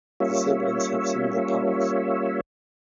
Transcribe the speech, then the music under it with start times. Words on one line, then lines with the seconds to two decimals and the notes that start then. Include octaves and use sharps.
The siblings have similar powers.
0.20 G3 A#3 C#4 F4 C#5 E5